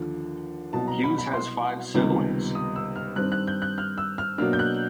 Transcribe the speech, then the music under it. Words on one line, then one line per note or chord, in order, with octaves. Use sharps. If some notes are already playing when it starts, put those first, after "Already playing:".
Hughes has five siblings.
Already playing: D#2 D3 F3
C2 B2 F#3 A5
A#5
B5
B5
C6
C#2 C3 D#3 G3 B3
D#6
E6
F6
G2 D#3 G3 C4 F#6
F#6
G6
F#6
F6
E6
F6
B2 F#3 A#3 D4 F6
G6
F#6